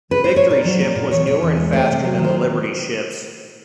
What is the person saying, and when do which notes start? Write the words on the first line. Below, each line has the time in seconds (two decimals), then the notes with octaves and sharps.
The Victory ship was newer and faster than the Liberty ships.
0.11 B4
0.24 C5
0.36 C#5
0.49 A#2 D5
0.65 F#3
0.80 A#3
0.95 A#2
1.11 E2 C#5
1.26 B2 C#5
1.43 E2
1.57 G#3
1.72 A3 C5
1.89 C3
2.04 F#3
2.18 D#3
2.24 C5